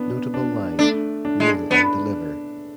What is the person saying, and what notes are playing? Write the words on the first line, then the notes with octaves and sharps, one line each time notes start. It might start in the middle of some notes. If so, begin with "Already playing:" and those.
Notable line: Kneel and deliver!
Already playing: B3 D4
D4
A3 D4
D4
G#3
B3 D4